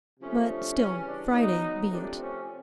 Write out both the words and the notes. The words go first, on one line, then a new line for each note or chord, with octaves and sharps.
But still, Friday be it.
C3 F3 A3 C#4
D4
C#3 E3 G3 C#4
D4
D#3 F#3 B3 D#4
C3 F3 A3 C4 D4
C#4